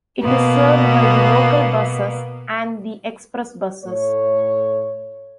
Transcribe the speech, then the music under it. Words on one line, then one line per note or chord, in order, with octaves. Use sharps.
It is served by the local buses and the express buses.
B2 A#3 B3
A2 A3 C#5